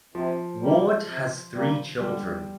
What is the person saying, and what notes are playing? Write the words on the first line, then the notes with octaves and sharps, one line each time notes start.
Ward has three children.
C3 F3
G3 A#3
C3
G3 A#3
D3 G3